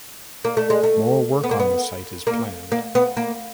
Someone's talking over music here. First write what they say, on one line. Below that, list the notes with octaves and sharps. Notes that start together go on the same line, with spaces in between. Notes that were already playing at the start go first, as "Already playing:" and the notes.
More work on the site is planned.
A#3
A3
G#3
A3
B3
A#3
B3
A#3
A#3
B3
A#3